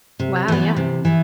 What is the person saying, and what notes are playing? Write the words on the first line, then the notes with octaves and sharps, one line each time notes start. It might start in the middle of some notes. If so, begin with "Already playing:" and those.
Wow, yeah.
C3
E3 B3
C3
E3 B3